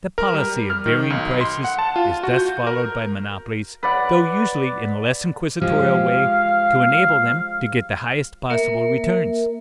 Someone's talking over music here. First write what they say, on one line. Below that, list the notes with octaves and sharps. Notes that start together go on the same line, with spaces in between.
The policy of varying prices is thus followed by monopolies, though usually in a less inquisitorial way, to enable them to get the highest possible returns.
A#4
G3
F6
D#3
B1
C6
F#5
A5
F4
F#4
G6
A#4
B4 D5 F#5
F3 G#3 G4 F5
A#3 A#4 E5